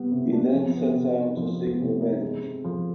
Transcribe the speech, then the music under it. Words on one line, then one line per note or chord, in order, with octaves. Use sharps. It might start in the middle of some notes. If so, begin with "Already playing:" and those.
He then sets out to seek revenge.
Already playing: C3 G3 B3
C3
D4
F3
B3
C3
D#4
F3
B3
C3
D#4
G#3
C4
F3